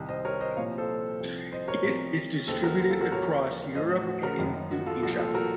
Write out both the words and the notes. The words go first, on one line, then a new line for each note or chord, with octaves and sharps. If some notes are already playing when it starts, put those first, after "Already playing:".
It is distributed across Europe and into Asia.
Already playing: C2 C3 D#3
C5 D#5
A#4 C#5
C5 D#5
C2 A#2 F3 C#5 F5
A4 C5
C2 C3 F3
C5 D#5
A#4 C#5
C2 C3 F3
D#2 C#3 F3 A4 C5
F#4 A#4
F#4
F4 A4
F#4 A#4
D#2 C#3 F3 A#4 C#5
A1 A2 F3 C5 D#5
F#4
F#4
F#4 A#4
F#1 F#2 D#3
F#4
F4 A4
C2 A#2 F3 F#4
F4 A4
F#4 A#4